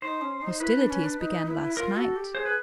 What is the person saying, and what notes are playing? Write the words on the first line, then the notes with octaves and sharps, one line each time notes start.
"Hostilities began last night."
D#4 C5
C#4
D#4
E4 B4
D4
C#4
D4
D#4
E4
F4 A#4
F#4 A4
G4
G#4 C5
B4